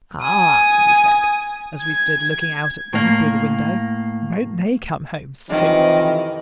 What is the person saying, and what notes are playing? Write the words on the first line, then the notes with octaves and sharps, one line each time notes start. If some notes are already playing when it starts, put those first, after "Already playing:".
"Ah!" we said, as we stood looking out at them through the window, "won't they come home soaked!"
G#5 D#6
G#6
A2 A#3
F2 C3 D#3 E3